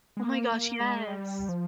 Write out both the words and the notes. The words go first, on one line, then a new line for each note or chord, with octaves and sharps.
Oh my gosh, yes.
G#3
A#3
A#3
G#3
G3
F3